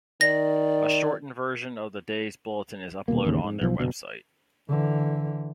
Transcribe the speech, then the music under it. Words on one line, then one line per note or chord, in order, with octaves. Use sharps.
A shortened version of the day's bulletin is upload on their website.
D#3 D5 A#6
D#1 B2 A#3
A1 D#2 C#3
G#2
B1 F3
F#1 C2 B2 D3
D3 E3